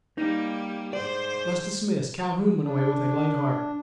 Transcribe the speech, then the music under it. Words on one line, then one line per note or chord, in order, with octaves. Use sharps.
Thus dismissed Calhoun went away with a light heart.
G3 A#3 D#4
G#2 C5 D5
D4